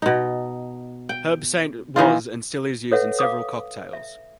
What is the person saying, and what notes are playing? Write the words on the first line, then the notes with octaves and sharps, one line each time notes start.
Herbsaint was and still is used in several cocktails.
B2 D#4
G5
D#3 E3 D#4 F4
A4 B4 C#5 E5 F#5
F5 D6 D#6
E5